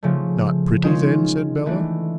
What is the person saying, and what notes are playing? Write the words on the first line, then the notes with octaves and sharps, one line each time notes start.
'Not pretty then?' said Bella.
C#3 F3 A3
D#3 G#3 C#4 F4
E3 A3 D4